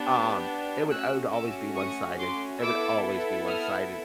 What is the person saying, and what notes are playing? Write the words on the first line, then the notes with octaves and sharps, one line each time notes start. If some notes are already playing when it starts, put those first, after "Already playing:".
um, it would I would always be one-sided it would always be one-sided,
Already playing: B3 D4 G4
A3 C#4 F#4 E6 F#6
D6 E6
C#6 D#6
C6 D6
B3 E4 A4 D6 E6
D#6 F6